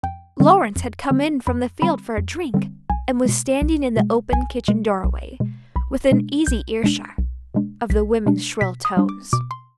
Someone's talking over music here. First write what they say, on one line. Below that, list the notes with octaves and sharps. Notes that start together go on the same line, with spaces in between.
Lawrence had come in from the field for a drink, and was standing in the open kitchen doorway, within easy earshot of the women's shrill tones.
F2 G5
D3 G3 C4
F2
D3 G3 C4
F2 B5
D3 G3 C4 B5
F2
D3 G3 C4
B1 G#5
B2 G#3
B1
B2 G#3
B1 G#5
B2 G#3
B1
B2 G#3
B1 B5
B2 G#3 D4
B1 G6
B2 G#3 D4
B1
B2 G#3 D4
B1 B6
B2 G#3 D4
B2 B6
D#6
G3 D4
D6
B2 D6
C6